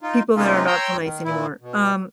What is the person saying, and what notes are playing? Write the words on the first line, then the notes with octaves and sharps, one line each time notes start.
people there are not so nice anymore. Um,
D#4 F4
C3 G#3 A#3 C#4 D#4 F4
C#5 G5 A#5 C6 E6
D#3
A#2 E3 E4
B2